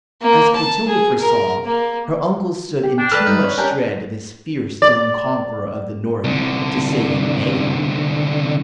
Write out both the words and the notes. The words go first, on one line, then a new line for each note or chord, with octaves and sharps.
As Clotilda foresaw, her uncle stood in too much dread of this fierce young conqueror of the north to say him nay.
A#3
A5
G#4
A#4
A#3
G4
D4 G5
A4 B4 D5 A5 F6
G2 D#4
C#5
C#4 D4 G4 A#4
D5
C2 D3